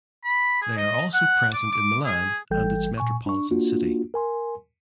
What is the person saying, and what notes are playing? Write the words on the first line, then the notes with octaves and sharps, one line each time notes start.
They are also present in Milan and its metropolitan city.
B5
G#4
D#5
F#5
D6
D6
G#4
G#1 E3 G3 A4 G5 G6
A#2 G#5 C#6
D4 C#6
A#3 D4 F4 F#4
A#4 G#5 C6